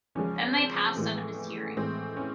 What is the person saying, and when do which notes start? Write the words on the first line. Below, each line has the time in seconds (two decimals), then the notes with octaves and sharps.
Then they passed out of his hearing.
0.15 E2 C#3 F3 G#3 C#4
0.56 C4
0.96 A2 E3 G#3
1.77 A2 E3 G#3 C4
2.17 C#4